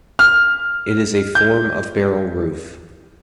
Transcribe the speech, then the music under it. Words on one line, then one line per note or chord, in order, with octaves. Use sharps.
It is a form of barrel roof.
F6
G6